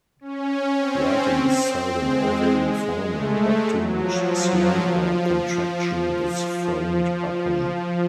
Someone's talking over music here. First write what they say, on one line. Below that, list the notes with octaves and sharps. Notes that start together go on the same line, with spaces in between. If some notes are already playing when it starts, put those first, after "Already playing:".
Writing is seldom overly formal, but too much slang or contraction is frowned upon.
C#4
C4
G#3
A3
F#3
F3
F3
F#3
F3